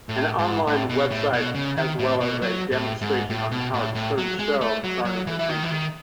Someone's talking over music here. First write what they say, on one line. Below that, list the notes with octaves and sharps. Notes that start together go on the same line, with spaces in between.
An online website as well as a demonstration on Howard Stern's show garnered attention.
A2
G#2
A2
B2
A2
B2
C#3
D#3
A2
B2
F#3
A2
G#2
A2
B2
A2
A2
F#3
G#3
A3
F#3
F#3
E3
E3
D#3
E3
D#3